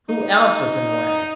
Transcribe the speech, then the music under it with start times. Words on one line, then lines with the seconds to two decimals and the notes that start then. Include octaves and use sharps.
Who else was in the way?
0.09 D#4